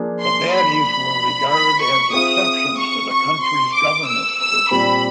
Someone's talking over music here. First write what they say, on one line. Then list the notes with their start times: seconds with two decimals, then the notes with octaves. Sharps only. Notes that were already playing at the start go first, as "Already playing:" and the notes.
The bateys were regarded as exceptions to the country's governance system.
Already playing: F3 A#3 D4 F4 G#4
0.21 C6
0.53 B5
1.49 B5
1.81 C#6
2.13 C4 F4 G#4 C5 E5 D#6
2.78 C#6
3.10 C#6
3.42 C6
3.74 D6
4.06 E6
4.38 E6
4.70 A#2 G3 C4 B5